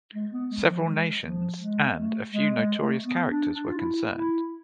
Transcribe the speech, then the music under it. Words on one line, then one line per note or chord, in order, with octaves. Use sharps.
Several nations and a few notorious characters were concerned.
G#3
B3
G#3
F3
F3
G#3
F3
G#3
A3
G#3
G#3
A3
B3
D4
D4
F4
E4
E4